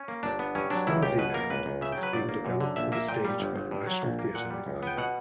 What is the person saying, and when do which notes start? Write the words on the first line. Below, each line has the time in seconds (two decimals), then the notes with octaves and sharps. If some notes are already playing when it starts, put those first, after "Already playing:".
"Stasiland" is being developed for the stage by The National Theatre in London.
Already playing: C#4
0.08 A#3
0.23 G1 D4
0.39 B3
0.55 G2 C#4
0.70 F#3 D4
0.87 C#2 E4
1.03 C#2 G4
1.18 B2 B4
1.34 A#3 A#4
1.50 C#2 B4
1.66 C#2
1.81 C#3 E5
1.92 G5
1.98 F#3
2.03 B4
2.13 G1 D5
2.29 A#3
2.45 F#2
2.61 D3
2.76 A#1 E5
2.92 A#3 E5
3.08 A#2 G5
3.25 G3
3.40 G1
3.56 G1
3.71 G2
3.87 F#3
4.03 A#1
4.19 A#3
4.35 A#2 F#5
4.51 G3
4.67 C#2
4.83 B3 G5
4.97 B2 F#5